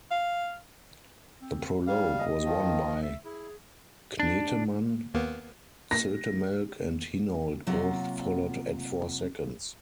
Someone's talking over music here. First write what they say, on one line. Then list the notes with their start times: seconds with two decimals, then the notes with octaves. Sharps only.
The prologue was won by Knetemann; Zoetemelk and Hinault both followed at four seconds.
0.11 F5
1.42 C4
1.87 G3 E4 F5
2.19 D#5
2.44 D#3 F3
3.02 E5
3.25 E4 G#4
4.20 D4
5.14 D#2 A#3 B3
5.91 A#6
7.67 C3 F#3 A#3 F4 F#5